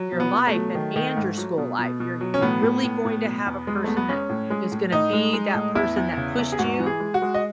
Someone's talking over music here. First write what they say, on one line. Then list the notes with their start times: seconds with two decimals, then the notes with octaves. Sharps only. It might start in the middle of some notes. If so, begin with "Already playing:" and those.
your life and and your school life. You're you're really going to have a person that y is gonna be that person that pushed you
Already playing: F#3
0.12 B2
0.20 B3
0.33 B2
0.47 A3
0.55 F#3
0.75 D#3
0.96 D#3
1.17 G#2
1.38 F#3
1.58 B2
1.79 B2
2.00 B2
2.21 F#3
2.34 C#4
2.41 A2 B3
2.62 A2
2.83 A2
3.05 A2
3.25 B2
3.46 E2
3.67 G#3
3.84 E2 A3
3.97 B3
4.09 G#3 C#4
4.29 A2
4.50 G#3
4.72 A2
4.92 A2 D#4
5.13 G#3
5.33 G#3
5.54 A2
5.75 E2 E4
5.96 E2
6.17 C#3
6.39 E2
6.52 G#4
6.59 G#2 F#4
6.79 E3
6.86 G#4
7.00 G#3
7.14 F#4
7.22 G#3
7.34 D#5